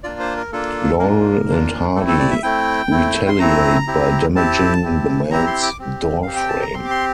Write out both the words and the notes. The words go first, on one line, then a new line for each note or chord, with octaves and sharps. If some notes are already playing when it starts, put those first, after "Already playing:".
Laurel and Hardy retaliate by damaging the man's doorframe.
A#3 D4 F4 D5
C5
A#4
A#3 D4 F4 A4
A#3 D4 F4 A#4
A#3 D4 F4
A3 C4 E4 A4
A4
D5
E5
A3 C4 E4 G5
A3 C4 E4
C6
A3 C4 E4 A#5
C4 E4 G4
C4 E4 G4 A5
C4 E4 G4
C4 E4 G4 A#5
C6
D6
C4 G4
C4 G4 F5
G5
A5
A#5
C4 G4 C6
D6
C6